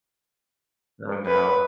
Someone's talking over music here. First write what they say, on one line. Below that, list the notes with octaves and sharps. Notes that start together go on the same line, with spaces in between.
Oh, no.
B4